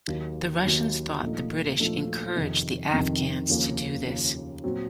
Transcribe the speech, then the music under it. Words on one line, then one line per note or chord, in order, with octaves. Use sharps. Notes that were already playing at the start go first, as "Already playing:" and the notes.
The Russians thought the British encouraged the Afghans to do this.
D#2 D#3 F#3 A#3
D#2 D#3 F#3 A#3
A#2 F3 A3 D#4
A#2 F3 A3 D#4
F2 C3 D#3
F2 C3 D#3
D#2 C#3 F3 A#3
D#2 C#3 F3 A#3
A#2 F#3 C4